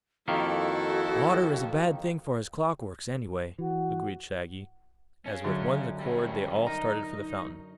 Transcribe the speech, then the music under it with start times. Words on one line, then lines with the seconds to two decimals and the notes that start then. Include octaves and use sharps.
"Water is a bad thing for his clockworks, anyway," agreed Shaggy, as with one accord they all started for the fountain.
0.28 F2 D#3 A#3 E4 F#4 A4
3.58 E3 F#4
5.26 C#4 G#4
5.44 F#2 D3
6.01 G3 C#4
6.66 D#4 A#4